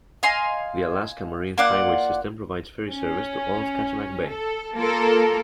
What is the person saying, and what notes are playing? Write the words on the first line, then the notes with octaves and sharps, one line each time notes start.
The Alaska Marine Highway System provides ferry service to all of Kachemak Bay.
D#5 F5 G#5 C6
A#3 F4 D5 F#5
C#4
A4
A#3 F4 A4 A#4